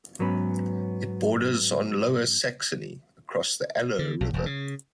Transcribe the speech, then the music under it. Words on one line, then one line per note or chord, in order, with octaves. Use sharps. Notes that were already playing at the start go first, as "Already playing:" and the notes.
It borders on Lower Saxony, across the Aller river.
G#2 F#3 B3 C#4 B4
D3
B1
E1
C#3